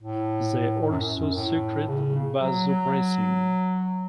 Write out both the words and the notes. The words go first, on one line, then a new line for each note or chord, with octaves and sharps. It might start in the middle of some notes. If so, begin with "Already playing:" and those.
They also secrete vasopressin.
A2
A2
F#2
F#2
A2
C#3
F#3
F#3